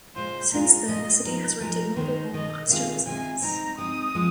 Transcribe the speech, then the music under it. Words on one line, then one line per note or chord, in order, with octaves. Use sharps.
Since then the city has rented mobile home lots to residents.
A#2 G#3 F4 C5
A#2 G#3 F4 G#4 A#4
A#2 G#3 F4 G#4 D#5
F3 G#3 D#4 G#4 A#4
F3 G#3 D#4 G#4 A#4
D#3 G#3 D#4 C5
D#3 G#3 D#4 D#5
C3 D#3 G#3 F4 G#4 F5
C3 D#3 G#3 F4 G#4 G#5
G#3 C4 D#4 A#5
G#3 C4 D#4 D#6
F3 G#3 C4